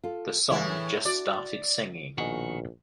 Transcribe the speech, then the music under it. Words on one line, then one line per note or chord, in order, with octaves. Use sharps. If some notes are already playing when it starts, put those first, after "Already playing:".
The song just started singing.
F4 A4
A2 E3 E4 G#4 B4
F#4 D5
A#1 B2 D#3 A#3 F#4 G#4 D#5